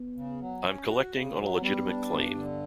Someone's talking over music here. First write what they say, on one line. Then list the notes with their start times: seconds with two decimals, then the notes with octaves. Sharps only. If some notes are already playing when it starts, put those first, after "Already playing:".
I'm collecting on a legitimate claim.
Already playing: B3
0.16 C#3
0.41 F#3
0.65 C#4
0.89 F#4
1.14 C#3
1.38 F#3
1.61 G3 B3
1.86 D4
2.11 G2
2.35 D3